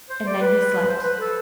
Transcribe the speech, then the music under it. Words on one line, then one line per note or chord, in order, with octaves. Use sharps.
And then he slept.
C5
D5
B4
C5
B4
A4